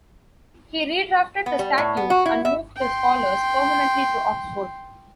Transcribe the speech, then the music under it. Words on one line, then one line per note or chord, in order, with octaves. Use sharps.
He redrafted the statutes and moved the scholars permanently to Oxford.
B3
G3
A2
B3
F#4
E4
E5
G5 C6